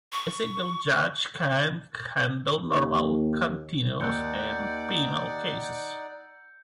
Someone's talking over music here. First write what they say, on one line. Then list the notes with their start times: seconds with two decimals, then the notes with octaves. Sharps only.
A single judge can handle normal contentious and penal cases.
0.12 C#6
2.65 D#2
4.00 D#2 D#4 D5 F#5 E6 F#6 G6 C#7